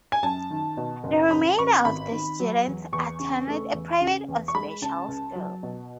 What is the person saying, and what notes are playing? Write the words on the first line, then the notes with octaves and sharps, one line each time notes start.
The remainder of the students attended a private or special school.
G#5
F#2 A5
D#3
B2
F#1
A1 B5
A1 C#6
G#1 B5
D#3
F#3
E2
E2 C#6
C#3
A3
E2
C#3
E2
C#6
G#3 B5
C#3 A5
C#2
F#3
B2